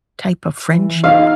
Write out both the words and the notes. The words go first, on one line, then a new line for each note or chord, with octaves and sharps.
type of friendship.
E3
D#4 F5